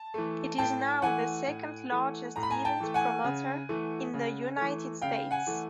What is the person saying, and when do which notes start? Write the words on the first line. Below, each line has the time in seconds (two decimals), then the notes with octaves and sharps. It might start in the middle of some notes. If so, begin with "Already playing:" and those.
It is now the second-largest event promoter in the United States.
Already playing: A5
0.14 E3 A3
0.58 A2 G5 A5
1.02 E3 A3 F#5 G#5
1.47 A2
1.91 E3 A3
2.36 A2 A#5
2.43 B5
2.51 G#5 A#5
2.65 G5 A5
2.80 E3 A3
2.94 F#5 G#5
3.24 C#3
3.69 E3 A3
4.14 C#3
4.57 E3 A3
5.02 C#3 F5 G5
5.31 F#5 G#5
5.47 E3 A3